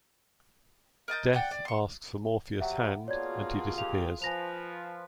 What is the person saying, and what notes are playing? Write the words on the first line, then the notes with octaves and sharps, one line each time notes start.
Death asks for Morpheus' hand, and he disappears.
A#4 D#5 A5 G6
D5 F#5 G5
D5
C6 C#6
F#3 G4 E5 F#5 G5
B2 A#3 F4 F#4 G#4 C#5 D5 G#6
D#2 G4 F5 F7
F3 B4 G#5 A#6 F7